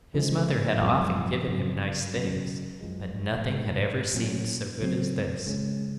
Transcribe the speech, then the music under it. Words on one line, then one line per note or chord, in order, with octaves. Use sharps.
His mother had often given him nice things, but nothing had ever seemed so good as this.
C#3 F3 G#3
F#2 F3 G#3 C4
C#3 F#3 C4
C#3 F#3 C#4
F#2 F3 G#3
G#2 D#3 G#3
A#2 F#3 C#4
C#3 F#3 C4
C#3 G#3 C#4